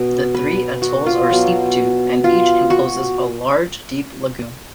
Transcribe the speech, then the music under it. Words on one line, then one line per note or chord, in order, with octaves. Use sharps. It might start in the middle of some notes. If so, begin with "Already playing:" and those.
The three atolls are steep-to and each encloses a large deep lagoon.
Already playing: B2
B4
F#4
F4
B2 F#3 B3
F4
F#4